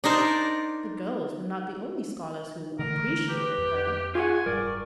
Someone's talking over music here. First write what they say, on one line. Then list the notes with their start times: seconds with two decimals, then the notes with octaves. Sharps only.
The girls were not the only scholars who "appreciated" her.
0.04 D4 D#4 A#4 C5 D5
2.79 D3 E3 A3 A#4
3.29 G4 B4
3.58 F2
4.15 F4 G#4 F#5 G#5 C#6
4.46 F#1 G#2 G3 A#4 D5